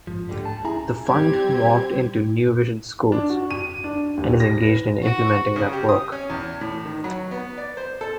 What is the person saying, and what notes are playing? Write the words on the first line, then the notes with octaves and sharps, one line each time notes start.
The Fund morphed into New Visions Schools and is engaged in implementing that work.
A1 G#2 C#3 F3
C#2 G#2 D3 G3 A3 A#3
A5
C#4 E4 G#4 G#5 A#5
G3 C4 G4 G#6
D4
F#4
D#7
D4
D#2
A#6
B4
F#4
C#3
G4
D#6
C#4
E2
A2
D#3
F#3
B3
D5
C5
A4